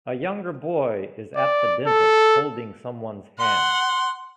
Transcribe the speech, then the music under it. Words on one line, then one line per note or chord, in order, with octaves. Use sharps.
A younger boy is at the dentist holding someone 's hand.
D5
A4
F#5 C6